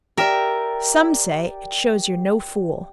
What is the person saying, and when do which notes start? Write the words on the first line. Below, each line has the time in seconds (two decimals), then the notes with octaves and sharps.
Some say "it shows you're no fool."
0.17 G4 A#4 D5 E5